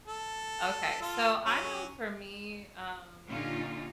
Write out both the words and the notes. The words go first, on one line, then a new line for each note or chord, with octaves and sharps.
Okay, so I know for me, um,
A4
F4 A4
F#3 C#4
A#2 D3 C#4 D#4 F4 G4